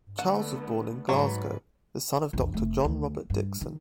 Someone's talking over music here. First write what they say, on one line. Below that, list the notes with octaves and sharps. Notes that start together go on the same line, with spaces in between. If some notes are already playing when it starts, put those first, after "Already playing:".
Charles was born in Glasgow the son of Doctor John Robert Dickson.
D3 A3 B3 F#5
G#2 F#3 B4
A#1 E2
F1 A3
D2
G2
D#3